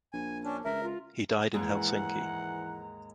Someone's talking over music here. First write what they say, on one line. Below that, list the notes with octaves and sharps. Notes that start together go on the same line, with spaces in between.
He died in Helsinki.
A#1 G#5
C#4 D4
C#2 A#4 E5
F4
D#2 G#2 E3 G#3 F#5 A#5